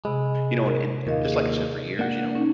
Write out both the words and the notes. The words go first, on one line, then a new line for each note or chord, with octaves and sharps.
You know, and and d just like I said for years, you know,
C3 G#3 B5
A#4
D#2 A#2 A#4 D#5 F5
G#4
A#3 D4 F#5
C#4 D#4